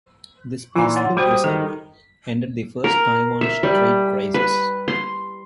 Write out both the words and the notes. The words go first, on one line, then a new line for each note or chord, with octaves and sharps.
This peaceful result ended the First Taiwan Strait Crisis.
A#2 E3 D#4 F4
C#5 F#5 C6
G3 F#4 C5 G5 D#6
C5
D#3 A4
A#4
E5
G3
B4
C6